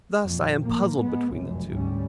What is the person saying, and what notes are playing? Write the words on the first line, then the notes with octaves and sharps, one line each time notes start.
Thus I am puzzled between the two.
F2 A#2
A2 F3 A#3
G#3 B3
F1 C#2 F#2
D2 G#2 G3 C#4